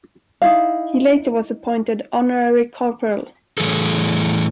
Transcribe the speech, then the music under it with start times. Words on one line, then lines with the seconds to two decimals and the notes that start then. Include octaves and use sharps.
He later was appointed honorary corporal.
0.42 D#4 E4 F5
3.58 A2 E3 G#4 A4